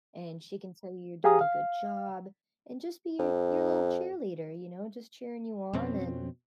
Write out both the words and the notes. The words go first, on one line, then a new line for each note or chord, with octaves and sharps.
and she can tell you you're doing a good job and just be your your little cheerleader, you know, just cheering you on, and
G4 G#4 F5 G#5 A#5 D#6
F5
F2
F2 B2 C4 C#4